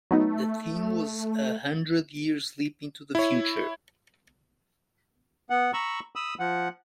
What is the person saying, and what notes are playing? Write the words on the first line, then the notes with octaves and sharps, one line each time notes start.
The theme was a hundred years leap into the future.
F#3 A3 B3 D#4
E4 C#5
B3 F#5
A#5 B5 C#6 E6
B5 D#6 E6
F3 F#5